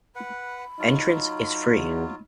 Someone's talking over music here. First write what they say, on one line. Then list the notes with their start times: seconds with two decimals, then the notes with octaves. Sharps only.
Entrance is free.
0.16 B4 F#5 B5
0.79 F#3 D#4 F4
1.72 E2